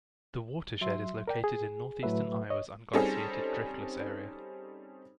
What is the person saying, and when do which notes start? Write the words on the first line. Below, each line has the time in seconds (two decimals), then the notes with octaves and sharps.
The watershed is located in northeastern Iowa's unglaciated Driftless Area.
0.81 F#3 E5 C6
1.28 A#4 D5 G5
1.44 G#4
2.03 A2 F#3 A3 B4 E5
2.50 C#5 D#5
2.93 G3 C4 C#4 D#4 G#4 A4